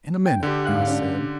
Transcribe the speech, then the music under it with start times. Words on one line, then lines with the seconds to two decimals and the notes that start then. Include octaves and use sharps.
"In a minute," I said.
0.26 G5
0.43 D3 G4
0.65 G#2 F5 F#6
0.87 C#4 D4